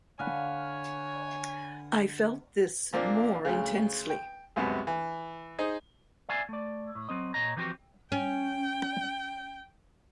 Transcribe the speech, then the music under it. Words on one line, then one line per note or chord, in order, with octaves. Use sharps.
I felt this more intensely.
D3 C#5 F5 F#5 G#5 B5
A#2 F3 A#3 C4 D4
D2 C#3
G5
C#2 F#2 C3 G3 B3
E3
D#4 G#4 C5 D#5
D5 E5 F5 G#5
A3 D5
A2
F#3 A#3 C4 D#5
A#2 C#5 D#5 A#5
E3 F3 C4 F#4 G4
C#4 G5